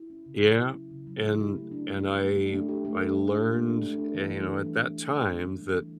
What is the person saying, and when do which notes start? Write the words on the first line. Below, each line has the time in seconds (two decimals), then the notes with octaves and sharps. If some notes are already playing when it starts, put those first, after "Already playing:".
Yeah, and and I I learned, eh, you know, at that time that,
Already playing: E4
0.10 C#4
0.26 C#3
0.42 F#3
0.58 E4
0.75 C#4
0.91 C#3
1.07 F#3
1.23 E4
1.39 G4
1.56 A3
1.71 D4
1.88 A3
2.04 G4
2.20 A3
2.36 D4
2.53 A3
2.69 G4
2.85 A3
3.01 D4
3.17 A3
3.35 G4
3.50 A3
3.66 D4
3.83 A3
3.98 D4
4.15 E3
4.31 G3
4.48 E3
4.64 D4
4.80 E3
4.95 G3
5.13 E3
5.28 D4
5.44 E3
5.61 G3
5.77 E3